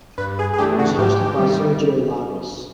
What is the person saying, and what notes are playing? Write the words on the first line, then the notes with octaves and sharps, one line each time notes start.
It was hosted by Sergio Lagos.
G2 B4
G#4
G#4
E3 A3 D4 G4
F#4
G#2 G4
D#3 G3